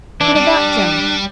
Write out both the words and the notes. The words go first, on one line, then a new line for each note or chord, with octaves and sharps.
What about Jim?'
E3 D4
G3